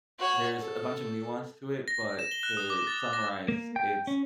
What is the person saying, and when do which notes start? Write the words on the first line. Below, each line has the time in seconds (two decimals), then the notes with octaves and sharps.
there's a bunch of nuance to it, but to summarize, it's
0.19 F#4 C#5
0.59 A4
1.88 A#6
2.01 A#6
2.19 E7
2.31 G7
2.43 F#6
2.57 D#6
2.70 D6
2.87 A6
3.01 A6
3.13 A#6
3.48 A#3
3.76 G5
4.07 C#4